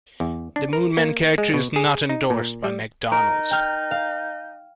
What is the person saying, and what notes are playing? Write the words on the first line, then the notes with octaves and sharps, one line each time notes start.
The Moon Man character is not endorsed by McDonald's.
E2
D4
A#4
A#3
G#3
B2
G#4
D#4
A#2
G3
D#4 A#4
G5 F6
F5